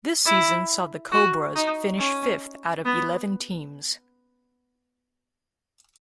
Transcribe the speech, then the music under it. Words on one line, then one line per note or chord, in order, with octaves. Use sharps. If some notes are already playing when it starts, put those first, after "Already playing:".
This season saw the Cobras finish fifth out of eleven teams.
E4
F#4
D#4
C#4
B3